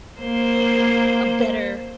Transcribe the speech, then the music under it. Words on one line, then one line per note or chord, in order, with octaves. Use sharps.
a better
A#3 C5